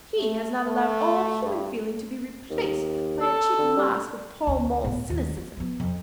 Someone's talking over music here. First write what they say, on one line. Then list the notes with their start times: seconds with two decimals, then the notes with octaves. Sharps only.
'He has not allowed all human feeling to be replaced by a cheap mask of Pall Mall cynicism.'
0.17 A3
0.67 A3
1.43 G2
2.50 D#2
3.21 A4
3.58 D3
3.77 G3
4.47 D2 D3
4.84 A2 B3
5.10 D#2 A#3
5.36 B3
5.57 F3 B3
5.80 F2